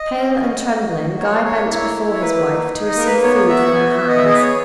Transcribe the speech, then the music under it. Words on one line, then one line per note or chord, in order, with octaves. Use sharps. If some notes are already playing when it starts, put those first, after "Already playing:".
Pale and trembling, Guy bent before his wife, to receive food from her hands.
Already playing: D#5
C#4
F#4
F#4
F#4
A#3 C#5
A#3 C#5
E4 C#5
E4
C#5
A#3 B4
D#4
D#4
D#5
A#3 A#4
B4
B3 C#5
F#4 E5
F#5
B3 G#5
E5
B3
D#5
E5
G#4 D#5
B4
C#5